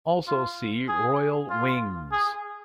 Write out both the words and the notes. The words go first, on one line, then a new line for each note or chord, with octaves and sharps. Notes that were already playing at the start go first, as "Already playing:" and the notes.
Also see "Royal Wings".
F4
G#4
F4
G#4